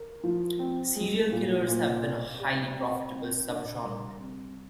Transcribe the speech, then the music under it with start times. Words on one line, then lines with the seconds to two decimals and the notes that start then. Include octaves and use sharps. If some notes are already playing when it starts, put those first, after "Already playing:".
Serial killers have been a highly profitable subgenre.
Already playing: A#4
0.23 F3
0.59 C4
0.95 G#3
1.31 A#2
1.67 A#2
2.03 D5
2.39 G4
2.75 C4
3.11 C4
3.48 D4
3.83 G3
4.20 C3